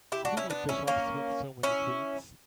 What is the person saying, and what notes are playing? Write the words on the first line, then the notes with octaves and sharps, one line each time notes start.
Who need bishops with so many queens?
E4 G4
D4 F#4
C#4 E4
B3 D4
C#4 E4
A#3 C#4
C#4 E4